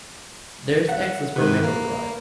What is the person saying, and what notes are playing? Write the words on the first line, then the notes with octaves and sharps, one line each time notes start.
There is access from Maple Drive.
E5 F#5
G#2 C3 B4
A#3